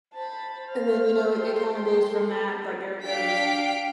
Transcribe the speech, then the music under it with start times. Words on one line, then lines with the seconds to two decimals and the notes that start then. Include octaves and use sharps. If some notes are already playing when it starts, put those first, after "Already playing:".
and then, you know, i it kind of goes from that. Like there goes,
0.14 C5 A5 B5
0.70 F5 F6
1.30 G5 C6
2.10 A4
3.04 D4 F5 G5 B6 D7